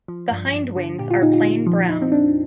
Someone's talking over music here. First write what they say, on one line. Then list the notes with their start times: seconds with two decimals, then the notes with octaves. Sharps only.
The hindwings are plain brown.
0.08 F3
0.31 G2
0.54 G2
0.76 D3
0.99 A#2 G4
1.10 F4
1.22 A#2 D#4
1.34 F4
1.44 A#2
1.67 F3
1.89 F2 D#4
2.02 C4
2.12 F2 D4